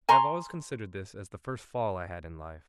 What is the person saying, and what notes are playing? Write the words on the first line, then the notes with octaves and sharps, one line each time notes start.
I have always considered this as the first fall I had in life.
G#5 A#5 C6 C#6